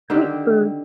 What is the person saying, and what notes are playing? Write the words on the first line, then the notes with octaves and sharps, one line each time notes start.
sweet food,
D3 D#3 C4 G4